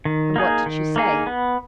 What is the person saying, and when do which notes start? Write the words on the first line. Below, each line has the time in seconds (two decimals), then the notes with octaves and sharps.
"And what did she say?"
0.05 D#3
0.36 A#3 D#4 G#4
0.66 D#3
0.96 A#3 D#4 G#4
1.27 B3